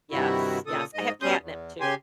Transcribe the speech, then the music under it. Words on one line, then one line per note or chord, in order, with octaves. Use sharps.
Yes, yes. I have catnip too,
G2 C3 D#3 E4 F#4
A#2 C#3 A4 D#6
G#2 D#5
B2 G3 C#4 C6 D#6 G6
E2
C#3 G4 G#5 C6